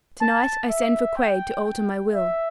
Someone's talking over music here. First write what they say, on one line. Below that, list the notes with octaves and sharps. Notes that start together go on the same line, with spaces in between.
To-night I send for Quaid to alter my will.
A5
E5
G5
G5
E5